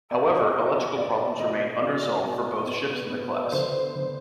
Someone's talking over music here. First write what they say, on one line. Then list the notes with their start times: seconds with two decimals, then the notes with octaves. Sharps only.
However, electrical problems remained unresolved for both ships in the class.
0.11 B3 D5
0.40 D#5
0.54 B2
0.96 B3 D5
1.40 B2 D#5
1.82 B2 D5
2.25 B2
2.67 B3
3.10 B3
3.44 D5
3.52 D3 C5
3.95 D3